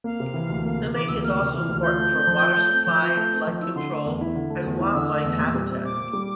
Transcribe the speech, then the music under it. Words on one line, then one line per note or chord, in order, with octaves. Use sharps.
The lake is also important for water supply, flood control, and wildlife habitat.
A#3 F5
C3
E3
D2
A#3
C3
E3 D6
D2 E6
A#3 F6
C3
E3
D2
F4 G6
A3
C4
F3
F4
A3
C4
F3
F4
A3
C4
F3
E4 E6
D3 C6
A3
E2
E4
D3
A3
E2
E4
D3 E6
A3
E2
A#2
G3
C4
A#2 D6
A#2
G3